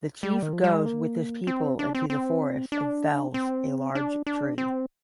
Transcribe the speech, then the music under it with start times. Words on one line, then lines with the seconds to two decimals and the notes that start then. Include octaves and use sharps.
The chief goes with his people into the forest and fells a large tree.
0.23 G3
0.43 D#3
0.53 F3
0.64 G3
0.74 G#3
0.86 A#3
1.47 C4
1.79 D4
1.95 C4
2.10 C4
2.72 D4
3.34 C4
3.95 D4
4.26 D4
4.58 C4